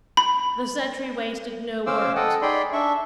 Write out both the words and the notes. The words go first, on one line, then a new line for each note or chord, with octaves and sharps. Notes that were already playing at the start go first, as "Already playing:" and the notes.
The sentry wasted no words.
B5
C#4 C5 F5 D6 E6
A4 D#5 F#5 G5
D#4 G#4 D5 G5 B5 C6
D4 E5 C#6